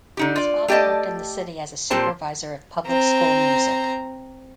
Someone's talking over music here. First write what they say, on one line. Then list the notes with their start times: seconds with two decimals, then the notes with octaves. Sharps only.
His father worked in the city as a supervisor of public school music.
0.17 D3 D#4 G4
0.36 F4 D5
0.68 A3 G4 D5 D#5 A5
1.90 A#2 C4 G4 C5 A5
2.86 C4 A#5